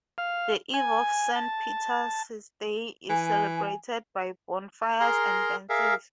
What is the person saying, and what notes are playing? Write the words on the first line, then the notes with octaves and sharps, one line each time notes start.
The Eve of St. Peter's Day is celebrated by bonfires and dances.
F5
G#5
A5
E3 G#5
G#4 A#4 A#5 C6
G#4 A#4 E5 F5